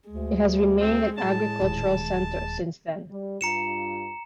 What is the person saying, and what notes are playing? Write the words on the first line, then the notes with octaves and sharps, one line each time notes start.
It has remained an agricultural center since then.
D2 G#3
C4
A2 A5
D#1 D#2
G3
G2 F4 A#5 C#7 E7